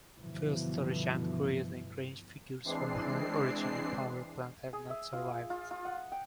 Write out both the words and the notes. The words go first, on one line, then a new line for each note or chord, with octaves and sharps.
Fuel storage and cruising range figures for her original power plant have not survived.
G2 B2 D3 E3 F3
E3 G#3 C4 D4 C7
G#4
E5
F4
F4
F4
F#5
G5